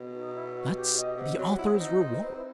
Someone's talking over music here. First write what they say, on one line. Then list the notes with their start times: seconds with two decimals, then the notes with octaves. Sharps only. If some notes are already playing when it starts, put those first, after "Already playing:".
That's the author's reward.
Already playing: B2
0.14 D#4
0.35 E4
0.55 F#4
0.75 G4
0.96 D#5
1.17 C3 F#5
1.38 F#3
1.58 E4
1.74 C4
1.80 D#4
2.00 D#4 C5
2.21 C4 B4
2.37 E4